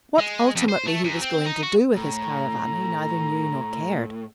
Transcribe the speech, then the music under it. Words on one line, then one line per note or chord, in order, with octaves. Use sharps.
What ultimately he was going to do with his caravan he neither knew nor cared.
G#3
F2
C5
A3
F#2
C4
D#4
F#4
A2 A#5